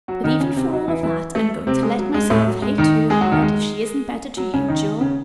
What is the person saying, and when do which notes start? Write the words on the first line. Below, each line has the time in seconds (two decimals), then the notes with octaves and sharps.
But even for all of that, I'm going to let myself hate her hard if she isn't better to you, Jule.
0.08 F#3 F#4
0.24 D#3 D#4
0.40 C#3 C#4
0.56 C3 C4
0.72 F#3 F#4
0.88 E3 E4
1.03 E3 E4
1.35 A3 A4
1.67 C3 C4
1.83 G#3
1.99 F#3
2.14 G#3
2.30 A2 A3
2.47 F#3
2.62 G#3
2.78 D#3 D#4
3.10 G#3 G#4
3.21 F#3 F#4
3.31 D#3 D#4
3.42 G#3
4.37 F#3
4.54 C#3 C#4
4.68 D#3 D#4
5.01 C#3 C#4